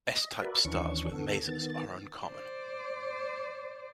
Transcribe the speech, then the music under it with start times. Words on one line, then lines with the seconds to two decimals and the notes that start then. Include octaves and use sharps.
S-type stars with masers are uncommon.
0.09 D#5
0.41 F#4 A#4 B4 D5 E5
0.65 D#2 E3 C#4 D4 C#6
1.11 D3 B3 A4
1.47 D#3 B3 A6
2.23 C5 D5